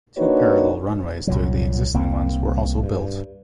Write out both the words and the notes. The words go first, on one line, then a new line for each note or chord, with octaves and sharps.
Two parallel runways to the existing ones were also built.
A#3 D4 D#4 F#4 B4 C#5
C2 A#2 F#3
C2 A#3 C4
G2